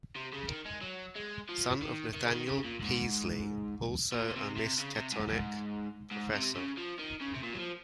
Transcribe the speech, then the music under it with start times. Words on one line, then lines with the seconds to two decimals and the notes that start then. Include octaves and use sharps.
Son of Nathaniel Peaslee, also a Miskatonic professor.
0.16 C3
0.33 C#3
0.49 D#3
0.66 G#3
0.82 F#3
1.16 G#3
1.49 F3
1.82 D#3
2.14 D#3
2.23 C#3
2.31 D#3
2.47 C#3
2.64 A#2
2.81 G#2
4.12 A#2
4.29 A#2
4.35 C3
4.57 C3
4.79 C#3
4.95 C3
5.12 G#2
5.29 G#2
6.11 G#2
6.34 C3
6.56 C#3
6.78 F3
6.99 D#3
7.21 C#3
7.35 C3
7.44 A#2
7.54 F#3
7.60 F3